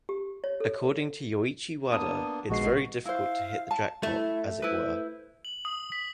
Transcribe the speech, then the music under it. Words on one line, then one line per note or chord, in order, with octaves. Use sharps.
According to Yoichi Wada, It's very difficult to hit the jackpot, as it were.
G4
C#5
A4
A#3 B3 D4 D#6
A#1 D#2 B2 G#3 F#4 C7
E4 C5 F5
A5
A3 E4
E4 B4 C5
F#7
D#6
B6